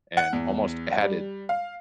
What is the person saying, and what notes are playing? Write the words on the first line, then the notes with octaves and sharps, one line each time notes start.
and almost added,
F#5
E2
G3
F5